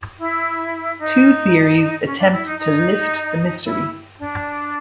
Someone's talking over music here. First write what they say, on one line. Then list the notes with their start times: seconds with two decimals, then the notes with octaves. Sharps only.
Two theories attempt to lift the mystery.
0.19 E4
0.99 D#4
2.04 C#4
2.18 D4
2.31 E4
2.45 D#4
2.58 D#4
3.64 E4
4.18 D4